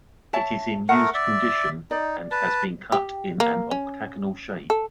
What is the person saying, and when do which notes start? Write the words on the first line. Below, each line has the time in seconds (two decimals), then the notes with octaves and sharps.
It is in used condition and has been cut in an octagonal shape.
0.33 C#5 E5 A5
0.89 A3 A#4 F#5
1.14 D5 E5
1.91 D#4 D5
2.31 B4 A5
2.92 G4
3.40 A#3
3.71 C#4
4.70 A4